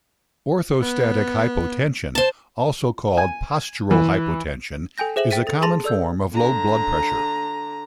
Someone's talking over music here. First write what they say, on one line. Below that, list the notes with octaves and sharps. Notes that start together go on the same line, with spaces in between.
Orthostatic hypotension, also called "postural hypotension", is a common form of low blood pressure.
B3
C5 A5
G#5
E3
A4 G5 G#5 G6 A#6
G#4 C5 E5 E7 F#7
G5 A6 B6 D#7
A4 A6
G#4 A5 C6 A6 A#6 F7
A4 D5 E6 G6
D3 A#5